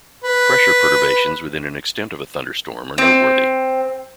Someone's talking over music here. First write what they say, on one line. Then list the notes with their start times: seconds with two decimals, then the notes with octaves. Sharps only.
Pressure perturbations within an extent of a thunderstorm are noteworthy.
0.24 B4
2.98 C4